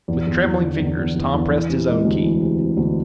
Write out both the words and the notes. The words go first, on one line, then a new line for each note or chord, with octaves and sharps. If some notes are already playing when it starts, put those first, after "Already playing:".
With trembling fingers Tom pressed his own key.
E2
E2
E2
D3
E2
E2
E2
E2
E3
C3
G#3
D2
E3
C3
C3
D2